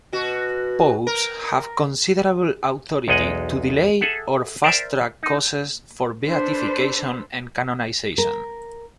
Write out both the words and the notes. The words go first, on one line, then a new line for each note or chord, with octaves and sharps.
Popes have considerable authority to delay or fast track causes for beatification and canonization.
B2 F#4
A#4
B1 E2 G#3 D#5 F#5 G#5
G#4 A4 E5 F#5
A#4 C5 D5 E5
D#4
D4 A4 B4 C5
A#4